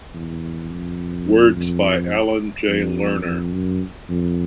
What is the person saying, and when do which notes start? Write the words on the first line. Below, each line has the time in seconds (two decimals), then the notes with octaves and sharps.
Words by Alan Jay Lerner.
0.14 E2
0.72 F2
1.56 F2
2.68 F2
3.25 F2
3.52 F#2
4.10 F2